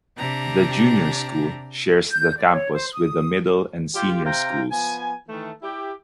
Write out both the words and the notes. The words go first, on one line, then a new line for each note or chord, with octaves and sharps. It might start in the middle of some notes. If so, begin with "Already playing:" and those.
The Junior School, shares the campus with the Middle and Senior schools.
C3 D4 G4 A#5
G6
D5
C#5
C5
D#6
F4 G4
C3 C5 F5 G5 A#5
F3 B3 G#5
D#3 E3 A3
E4 G4